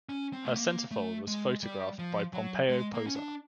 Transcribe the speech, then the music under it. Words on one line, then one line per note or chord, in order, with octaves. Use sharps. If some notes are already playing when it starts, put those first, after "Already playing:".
Her centerfold was photographed by Pompeo Posar.
C#4
C4
A3
A#3
A3
G#3
G3
F3
F#3
G#3
A#3
C#4
D4